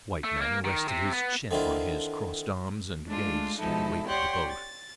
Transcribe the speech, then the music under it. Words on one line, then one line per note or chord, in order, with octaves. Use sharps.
The white man rested his chin on his crossed arms and gazed at the wake of the boat.
A3
A#3
D#3
C3
B3
D3 D#3 C4 D4 E4 F4
G#3 A3 D4 F4
B2 F3 G#3 D#4 E4 A4
G4 C#5 D5 F#5 G5 C6
A6